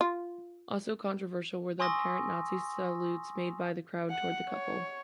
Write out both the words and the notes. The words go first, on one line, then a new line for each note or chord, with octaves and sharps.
Also controversial were the apparent Nazi salutes made by the crowd toward the couple.
F4
G#5 C6 C#6 D#6 E6 A#6
F#5
C#5